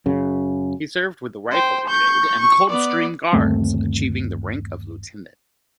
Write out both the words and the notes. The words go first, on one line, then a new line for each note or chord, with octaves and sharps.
He served with the Rifle Brigade and Coldstream Guards, achieving the rank of lieutenant.
F#2 C#3
C5 G5
C#6 G6
C#6
B3 D5
G1 D#2 A3 C4